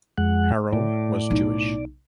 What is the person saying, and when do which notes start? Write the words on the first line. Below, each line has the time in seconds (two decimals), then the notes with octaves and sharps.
Harrow was Jewish.
0.18 F2 G#3 F#5
0.73 A2 D5
1.30 B1 D#4